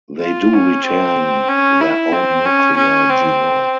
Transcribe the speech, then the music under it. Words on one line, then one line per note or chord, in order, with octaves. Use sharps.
They do retain their own nuclear genome.
F4
C#4
C4
C#4
E4
C4
C#4
C#4
C4